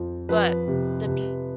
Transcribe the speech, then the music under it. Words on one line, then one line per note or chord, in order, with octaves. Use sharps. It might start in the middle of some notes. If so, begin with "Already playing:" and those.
But the beu
Already playing: F2 F3
F3 B4
C3
C3